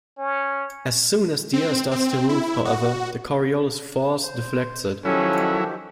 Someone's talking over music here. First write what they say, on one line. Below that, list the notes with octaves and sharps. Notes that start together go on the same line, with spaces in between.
As soon as the air starts to move, however, the Coriolis "force" deflects it.
C#4
C4
C4
E4
F#4
C5
D#3 F3 F#3 C#4 E4 G4 A4